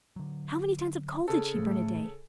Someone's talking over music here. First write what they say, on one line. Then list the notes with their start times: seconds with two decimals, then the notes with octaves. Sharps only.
How many tons of coal did she burn a day?
0.16 D3 F#3
1.28 C#3 A4
1.55 A2 F3 A3